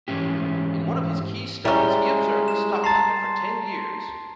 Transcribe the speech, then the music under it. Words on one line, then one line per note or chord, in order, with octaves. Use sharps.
In one of his key studies, he observed the stock market for ten years.
G#2 E3 C#4 G4
G3 G#3 C#4 E4 A#5 C#6 G7
E7
A5 A#5 C6 A6 C7